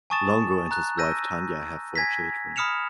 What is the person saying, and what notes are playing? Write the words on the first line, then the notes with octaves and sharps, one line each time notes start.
Longo and his wife Tanya have four children.
G#5 A5 C#6 D#6 A6 E7
A#5 F#6
E6 G6 A#6 D#7
G#5 G#6 A#6 B6
B5 D#6 F6 C#7 E7 F7